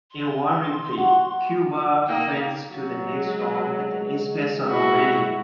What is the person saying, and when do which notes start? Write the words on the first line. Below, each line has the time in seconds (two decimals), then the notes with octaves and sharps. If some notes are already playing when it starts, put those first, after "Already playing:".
In one replay, Cuba advanced to the next round at the expense of Romania.
0.11 C6
0.98 F#4
2.06 A#3 D#4 G5
2.70 F#3
3.10 G#3
4.67 E4 F#4